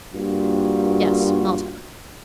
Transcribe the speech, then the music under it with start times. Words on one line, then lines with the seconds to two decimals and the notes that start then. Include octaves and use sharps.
"Yes; Malta."
0.14 G2 A#3 F4 F#4